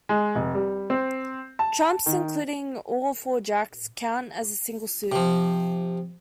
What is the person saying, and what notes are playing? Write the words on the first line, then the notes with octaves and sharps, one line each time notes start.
Trumps, including all four jacks, count as a single suit.
G#3
F1
G3
C4
A5
D#3
C3 F3